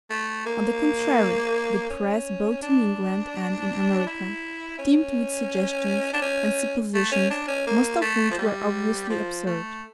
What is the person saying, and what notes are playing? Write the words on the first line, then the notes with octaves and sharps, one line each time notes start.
On the contrary, the Press, both in England and in America, teemed with suggestions and suppositions, most of which were obviously absurd.
A3
A#3
C#4
D4
E4
C#4
D4
C#4
A3
C#4
D4
C#4
A#3
A3
F3
G3
F3
A3